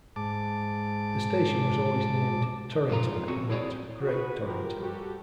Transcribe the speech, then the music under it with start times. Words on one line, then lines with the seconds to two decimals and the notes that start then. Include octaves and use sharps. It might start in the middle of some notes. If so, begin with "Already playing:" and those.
The station was always named 'Torrington', not 'Great Torrington'.
0.16 G#2 A5 D6
2.89 G#2 F3 F4 A#5
3.28 C4 C#4 F#4
3.50 E4 G#4 C#5 D5
4.05 F#4 G#4 B4
4.43 F3 G4 A#4
4.77 G3 F#4 G4 A4